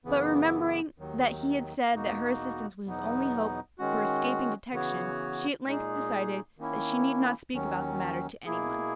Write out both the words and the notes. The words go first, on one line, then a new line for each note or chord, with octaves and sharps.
But remembering that he had said that her assistance was his only hope for escaping detection, she at length decided that she need not speak about the matter to any one.
F#2 C#3 E3 B3
D#2 D#3 F#3
E2 B2 A#3 D#4 F#4
E2 B2 F#3 B3 D#4
D#3 G#3 C#4 F#4
C#3 E3 B3 F#4 C#5
A#2 G#3 D#4 G#4
D#3 A#3 C#4 E4
D#2 D#3 F#3 C#4
B2 A#3 E4 G#4